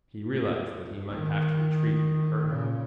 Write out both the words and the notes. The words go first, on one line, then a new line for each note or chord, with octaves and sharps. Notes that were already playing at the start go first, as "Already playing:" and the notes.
He realized that he might have to retreat in a hurry.
D#3
A#2 C#3